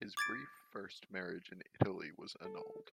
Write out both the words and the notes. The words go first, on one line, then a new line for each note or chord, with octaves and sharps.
His brief first marriage in Italy was annulled.
D6 G#6 A6 D7
A4